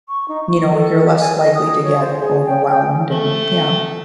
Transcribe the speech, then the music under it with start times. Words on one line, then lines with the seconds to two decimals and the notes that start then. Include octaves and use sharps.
you know, you're less likely to get overwhelmed and, yeah.
0.08 C#6
0.28 D#4
0.47 C#6
0.72 A4
1.19 G#5
1.39 D#5
1.54 D#6
1.83 C#5
2.00 C5
2.19 G#4
2.46 G5
2.68 G5
3.10 A3